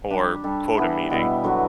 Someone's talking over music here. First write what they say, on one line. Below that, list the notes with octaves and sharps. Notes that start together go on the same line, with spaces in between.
or quota meeting.
G3 D4 G4
G3 D4 A4
E3 B3 E4
B2 G3 B3 E4
D3 F#3 B3 F#4